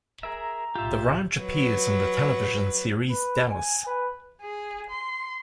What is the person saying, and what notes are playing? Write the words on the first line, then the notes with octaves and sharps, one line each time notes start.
The ranch appears in the television series "Dallas".
G#4 A#4 E5 A#5
B1 A2 F4 G4 E5
F#3 B4
B4
G#5
B4
G#4
C6